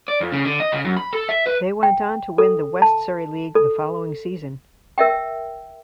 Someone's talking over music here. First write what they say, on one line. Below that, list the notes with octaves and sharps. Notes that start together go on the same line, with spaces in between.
They went on to win the West Surrey League the following season.
D5
F2
C#3
D3
D#5
C#3
F#2
B5
A4
E5
B4
G5
A4
A5
A4
A#4 E5 G5